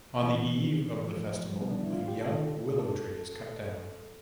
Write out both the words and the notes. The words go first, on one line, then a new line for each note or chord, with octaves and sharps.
On the eve of the festival a young willow tree is cut down.
E3
F3
G3
B3
D4
E4
F4
G4
A4
A4